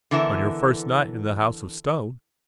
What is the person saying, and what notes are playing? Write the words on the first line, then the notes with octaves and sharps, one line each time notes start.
"On your first night in the House of Stone."
D3 E3 B3 E4 A#4